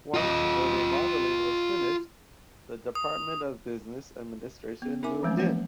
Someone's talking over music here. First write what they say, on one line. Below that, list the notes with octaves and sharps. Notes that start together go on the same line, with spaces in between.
Once the remodeling was finished, the Department of Business Administration moved in.
F4 D#5
D#6
B3
D#4 A#4 E5 G#5 D6
E3 F3 G#3 A3 C4 C#4
F3 A#3 B4